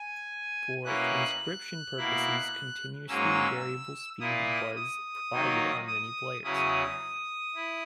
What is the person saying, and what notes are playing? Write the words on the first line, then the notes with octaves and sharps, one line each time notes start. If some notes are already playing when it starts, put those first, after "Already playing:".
For transcription purposes, continuously variable speed was provided on many players.
Already playing: G#5
B2 A#3 C#4 E4 F#6
B2 A#3 E4
G#2 F#3 A#3 C#4 E6
A#2 A#3 E4 D#6
D#6
D#3 F#3 A#3 D#4
D#6
E2 C#3 F#3 C#4 E4 D#6
E4